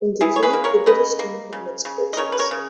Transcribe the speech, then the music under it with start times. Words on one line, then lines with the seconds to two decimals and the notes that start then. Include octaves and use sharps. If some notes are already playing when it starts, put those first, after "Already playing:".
On the track, the British team had mixed fortunes.
0.21 E3 E4 G#4
0.36 C#5
0.43 G#4 B4
0.53 A#3
0.64 A#4 C#5
0.86 C#3 B4 D#5
1.19 A#3
1.53 C#3
1.85 C#3
2.13 D#5
2.17 C#3 A#4 C#5
2.32 B4
2.39 A#4 C#5
2.51 C#3